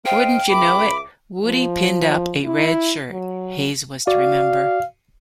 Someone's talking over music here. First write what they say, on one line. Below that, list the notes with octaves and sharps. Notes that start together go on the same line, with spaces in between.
"Wouldn't you know it, Woody pinned up a red shirt," Hays was to remember.
C5 D#5 F5 G5
C#2 E5 B5 D6
F3
E4
F#3
F#4 D5 F5